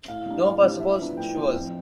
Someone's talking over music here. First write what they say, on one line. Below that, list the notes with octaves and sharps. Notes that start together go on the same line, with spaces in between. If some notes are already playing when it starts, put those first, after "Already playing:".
No, but suppose she was.
A2 F5
G3 D4
A2
G3 D4
A2 E5
F3 B3 D4
A2 G5
F3 B3 D4
F2